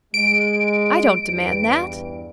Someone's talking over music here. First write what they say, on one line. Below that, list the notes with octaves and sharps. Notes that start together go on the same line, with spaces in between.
I don't demand that.
G#3 D7
E2 G2